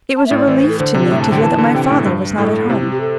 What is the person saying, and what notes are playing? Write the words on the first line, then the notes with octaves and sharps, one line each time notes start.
It was a relief to me to hear that my father was not at home.
A5
E5
A2
D5
E3 D5
C5
A4
D3 C5
C3
D5
A2 E5
A2 A5
D3 G5
E3 A5
D3
C3 G5
G5
A2
G2
A2 A4
C3 E4
E4
G4
A4